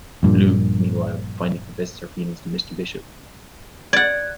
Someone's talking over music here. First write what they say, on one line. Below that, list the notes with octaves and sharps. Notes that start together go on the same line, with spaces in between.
Bleu, meanwhile, finally confesses her feelings to Mr. Bishop.
A#1 G2 A#2
D5 F#5 G#6